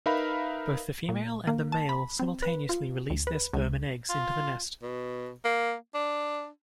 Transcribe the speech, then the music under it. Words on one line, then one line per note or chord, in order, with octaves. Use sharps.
Both the female and male simultaneously release their sperm and eggs into the nest.
D#4 A#4 B4 E5 F5 B5
A#2
A#3
A5
B5
C4
B4
F4
D2
B4
C#2
F4
B2
A#3
D4